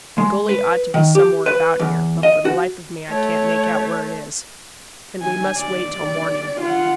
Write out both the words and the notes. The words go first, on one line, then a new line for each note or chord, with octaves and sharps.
"The gully ought to be somewhere about here, but for the life of me I can't make out where it is, and we must wait till morning."
G#3
B4
D#3
G4
B4
E2
D#5
F#4
A3 C#5
G#5
D5
F4 F#5